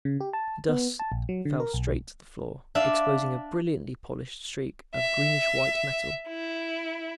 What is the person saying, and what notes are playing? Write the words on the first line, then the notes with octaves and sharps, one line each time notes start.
The dust fell straight to the floor, exposing a brilliantly polished streak of greenish-white metal.
C#3
G4
A5
B3
A5
A#1
F#3
D3
A#4
B1
D4 E5 F5
E5
E4